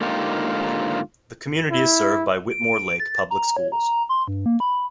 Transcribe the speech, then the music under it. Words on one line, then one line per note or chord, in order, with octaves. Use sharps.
The community is served by Whitmore Lake Public Schools.
G#2 D3 A#3 D#4 F4 G4
E4
D7
A6
A#5
C#5
A#5
C6
G2
A#3
B5